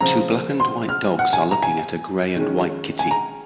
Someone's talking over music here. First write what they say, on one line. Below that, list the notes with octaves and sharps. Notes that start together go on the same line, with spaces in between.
Two black and white dogs are looking at a gray and white kitty.
C#3 F3 C4 A#5
C6
F6
F#5
G#5
A#5
G#5
D#3 G#3 C#4
G#5
A#5